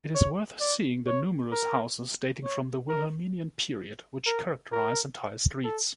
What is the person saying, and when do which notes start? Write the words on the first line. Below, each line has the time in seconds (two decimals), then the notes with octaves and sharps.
It is worth seeing the numerous houses dating from the Wilhelminian period, which characterize entire streets.
0.15 C#5
0.60 D5
1.07 C#5
1.52 A#4
2.44 C#5
2.89 A#4
4.26 A#4
4.72 A#4
5.64 A4